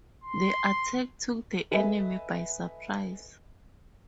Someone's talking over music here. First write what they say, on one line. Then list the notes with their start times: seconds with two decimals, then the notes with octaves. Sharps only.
The attack took the enemy by surprise.
0.23 C6
1.71 A4 B4 D#5 E5 G#5